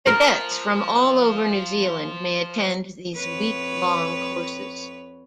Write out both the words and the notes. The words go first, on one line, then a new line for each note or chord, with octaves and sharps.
Cadets from all over New Zealand may attend these week long courses.
F3 A#4
F2 B4 C#5